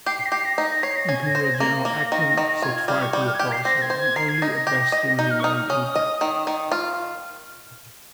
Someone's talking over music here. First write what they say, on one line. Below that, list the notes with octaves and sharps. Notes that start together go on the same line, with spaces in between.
Imperial general Acton set fire to the castle and only a bastion remained intact.
G4 C7
C7
A#6
G4 C7
A#6
D#4 A#6
A#6
C#5 C7
A#6
C#4 G#6
A#6
C5
A#6
G#6
A#3 A#6
A#3
D#3
D#3
F4 G#6
G#6
G3 F6
C#6
G3 C#6
G6
F6
G#6
G4 G6
C7
C4 A#6
G#6
C5
G#6
A#4 C7
G#6
D#4 A#6
A#6
G4
D#5
D#4 G6
F6
C#6
D#4 D#6
F6
C#4 D#6
D#5
D#3
D#3
F4 F6
F6